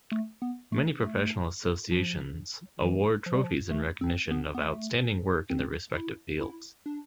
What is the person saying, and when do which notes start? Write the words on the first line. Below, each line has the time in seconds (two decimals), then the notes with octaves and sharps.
Many professional associations award trophies in recognition of outstanding work in their respective fields.
0.12 A3
0.42 B3
0.72 A3
1.02 A3
1.91 F3
2.82 E3
3.26 F3
3.35 G3
3.44 F3
3.71 A3
4.01 C4
4.31 B3
4.55 B3
4.61 A3
5.50 C4
5.95 E4
6.41 E4
6.86 D4